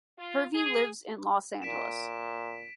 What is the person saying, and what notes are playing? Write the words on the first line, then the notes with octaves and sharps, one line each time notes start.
Hervey lives in Los Angeles.
F4
G#4
A#2 B6 D7 E7